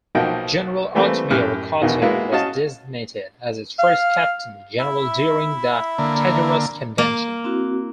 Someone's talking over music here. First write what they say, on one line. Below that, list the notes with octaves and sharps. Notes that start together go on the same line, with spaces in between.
General Artemio Ricarte was designated as its first Captain General during the Tejeros Convention.
B1 F3 A#3 D#4 F#4 G5
E3 G3 A3 A#3 C4
F#2 A2 G4 F6 F#6
A#1 E2 B2 D#3
G#3 A#3 B3 E4 F#4
C#4 F#4 D#5 F5 A5
F5
E4 E5
D3 A#3
A#3
C4 E4 F#4